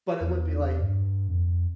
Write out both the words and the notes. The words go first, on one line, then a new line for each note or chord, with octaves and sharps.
but it would be like
E2
G2
F2